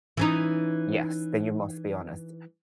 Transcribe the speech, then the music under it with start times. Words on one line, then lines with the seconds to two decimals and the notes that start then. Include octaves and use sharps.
Yes, then you must be honest.
0.17 E3 C#4 D#4